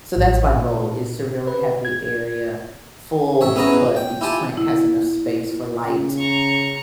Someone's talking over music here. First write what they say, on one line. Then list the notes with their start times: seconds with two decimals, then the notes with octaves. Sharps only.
so that's my goal is to really have the area full, but each plant has enough space for light,
0.17 A1
0.55 A#2
1.47 B4
1.85 G#6
3.41 A1 C#5 E5
3.56 B3 C#4 E4 G#4 C#5 A#5
3.73 B2
3.96 G5
4.21 E4 F4 G4 G#5 A5
4.57 E4
5.86 C#3
6.19 A#5 C#6